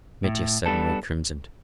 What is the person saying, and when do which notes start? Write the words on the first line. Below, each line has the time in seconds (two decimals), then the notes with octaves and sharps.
Mitya suddenly crimsoned.
0.24 A2
0.66 G3 B3 D4 A4